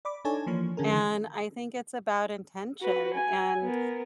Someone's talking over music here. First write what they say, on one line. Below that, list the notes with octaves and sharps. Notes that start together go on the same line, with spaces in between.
and I think it's about intention. And
D5 B5 D6
D4 D#4 A4 C#5 G#5
E3 F3 A#3 C#5
D3 C#4 G#4 A#4
D3 E3
F#4 B4
G#5
B3 A#4